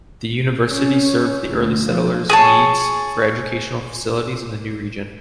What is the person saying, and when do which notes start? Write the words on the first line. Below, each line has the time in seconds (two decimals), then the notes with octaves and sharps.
The university served the early settlers' needs for educational facilities in the new region.
0.69 C#4
1.50 D2
1.85 F3
2.30 G#4 C#5 A5